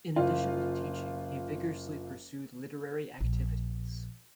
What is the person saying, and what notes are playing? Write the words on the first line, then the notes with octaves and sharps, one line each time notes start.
In addition to teaching, he vigorously pursued literary activities.
F#1 F4
A#1